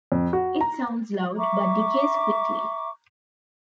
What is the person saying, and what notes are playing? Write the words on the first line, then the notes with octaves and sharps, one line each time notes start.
It sounds loud, but decays quickly.
F2
F#4
A#5
E5 A#5 C#6 D6